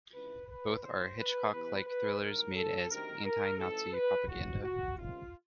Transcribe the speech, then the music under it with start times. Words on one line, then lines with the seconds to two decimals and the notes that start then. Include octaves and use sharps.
Both are Hitchcock-like thrillers made as anti-Nazi propaganda.
0.13 C#2 C3 E3 B4
0.47 B4
0.82 C#2 C#3 E3 C5
1.17 B4
1.51 E2 C3 E3 B4
1.86 B4
2.20 G#1 G2 D#3 A#4
2.55 A4
2.90 D2 C3 D#3 A#4
3.24 A#4
3.58 G#1 G#2 E3 A4
3.93 B4
4.27 A1 A2 E3 F#4
4.63 F#4
4.97 C#2 C3 D#3 F4